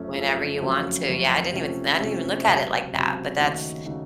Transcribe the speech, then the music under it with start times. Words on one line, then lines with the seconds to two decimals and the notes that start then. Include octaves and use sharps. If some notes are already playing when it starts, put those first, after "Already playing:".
Whenever you want to, yeah, I didn't even th I didn't even look at it like that, but that's
Already playing: F#2 F3 A3 C#4 A4
0.14 F#2 F3 A3 C#4 A4
0.60 F2 C#3 F#3 A3 C#4
1.07 F2 C#3 F#3 A3 C#4
1.53 C3 F3 A3 C#4 A4
2.00 C3 F3 A3 C#4 A4
2.46 C#2 C3 F#3
2.93 C#2 C3 F#3
3.39 D#2 C#3 A3 D#4 F#4
3.85 C#3 A3 D#4 F#4